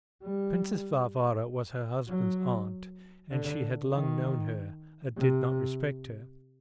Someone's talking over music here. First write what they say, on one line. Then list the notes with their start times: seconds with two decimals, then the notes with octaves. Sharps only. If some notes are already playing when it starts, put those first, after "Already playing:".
Princess Varvara was her husband's aunt, and she had long known her, and did not respect her.
0.23 G3
2.08 F#3
3.31 D3
3.93 D#3
5.17 C3